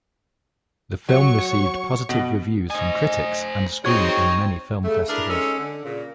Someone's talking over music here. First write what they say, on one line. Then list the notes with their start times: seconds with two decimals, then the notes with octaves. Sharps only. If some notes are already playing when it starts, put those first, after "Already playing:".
The film received positive reviews from critics and screened in many film festivals.
1.09 F#3 C#5 C#6
2.09 B2
2.70 C5 D#5 G#5
3.85 G#3 C4 D#4 F#4 C#5 C#6 G#6
4.84 C#3 A3
5.09 D4 E4 G#4 A#4
5.28 G#3 C#4 D#4 G#4 A4
5.58 D3
5.84 A#2 C#3